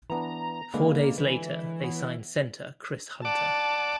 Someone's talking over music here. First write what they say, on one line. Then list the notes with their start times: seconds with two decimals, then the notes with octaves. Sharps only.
Four days later, they signed center Chris Hunter.
0.10 E3 B3 D4 A#5
0.74 D3 G#3 A#3 B4
1.18 E3
1.80 B3 C#5
3.25 D5 F#5 A5 D6